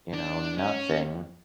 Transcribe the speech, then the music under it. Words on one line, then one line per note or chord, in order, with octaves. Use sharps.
you know, nothing
D4
C#4